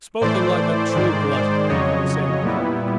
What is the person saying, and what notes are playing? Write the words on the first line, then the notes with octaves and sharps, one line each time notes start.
"Spoken like a true glutton," Conseil replied.
A2 E3 A3 C5 D5
G#2 D#3 G#3 C5 D5
C5 D5
F2 C#3 F#3 C#5 D#5
A#2 G3 B3 E4